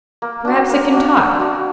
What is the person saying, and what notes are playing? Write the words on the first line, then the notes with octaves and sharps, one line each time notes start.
"Perhaps it can talk."
A#3
D4 F#4
A#3
D4 F#4
A#3
D4 F#4